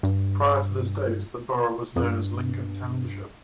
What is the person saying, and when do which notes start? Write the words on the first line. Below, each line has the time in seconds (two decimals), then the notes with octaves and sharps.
Prior to this date, the borough was known as Lincoln Township.
0.03 G2
1.96 F2
2.03 G2